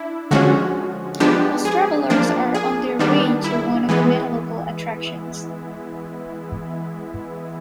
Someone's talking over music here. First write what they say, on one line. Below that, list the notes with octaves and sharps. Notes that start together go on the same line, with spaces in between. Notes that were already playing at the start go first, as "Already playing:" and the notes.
Most travelers are on their way to one of the many local attractions.
Already playing: D4 E4
D3 F3 G#3 C#4 F#4
F3 G#3 B3 D4 G4
G#4
F3 A#3 D4
G#4
D#3 G3 B3 D4
E4
E3 G#3 B3